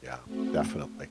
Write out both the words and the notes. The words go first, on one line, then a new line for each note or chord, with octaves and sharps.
Yeah, definitely.
A3 C4 F#4